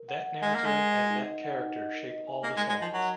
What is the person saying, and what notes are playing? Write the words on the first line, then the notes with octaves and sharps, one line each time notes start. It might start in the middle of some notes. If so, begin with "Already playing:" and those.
That narrative and that character shape all the songs.
Already playing: A#4
F#5
F#5
G#3 D#5
A#3
D#5
G#3
A#4
D#5
D#4
D#5
F#5
D#4
D#5
A#4
D#5
G#5
A#3 D#5
G#3
A#4
G#3
F3 D#5
F#3 A#4